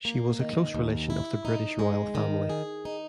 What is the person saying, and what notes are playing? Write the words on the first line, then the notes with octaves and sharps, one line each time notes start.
She was a close relation of the British Royal Family.
A#3
D#3
D#2
E4
D#4
G#3
D#3
G#4
D#4